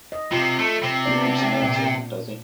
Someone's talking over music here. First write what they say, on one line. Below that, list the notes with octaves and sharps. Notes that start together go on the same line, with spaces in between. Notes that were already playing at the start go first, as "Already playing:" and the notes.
He keeps a manservant, does he?
D#5
C3 F4
A3
C3
B3 D4 D5
A#2